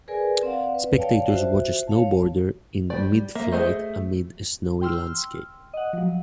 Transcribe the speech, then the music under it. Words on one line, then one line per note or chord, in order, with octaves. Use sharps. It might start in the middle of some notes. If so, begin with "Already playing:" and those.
Spectators watch a snowboarder in midflight amid a snowy landscape.
G#4 A#4 B4 D5 G#5
C4 D5 F5 F#5
B4
C#5 D5 F5 G5 A5
F4 F#4 C5 E5
C#5 F5 A5
G3 D5
A#3 E5
A3 G#4 C5 D#5
G5 C6 E6 F6
D#5 F#5
F3 F#3